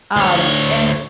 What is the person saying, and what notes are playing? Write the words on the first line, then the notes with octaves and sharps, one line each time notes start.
Um, and
D2 C#5